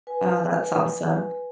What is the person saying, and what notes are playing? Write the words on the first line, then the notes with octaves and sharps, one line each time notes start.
Oh, that's awesome.
B4 G#5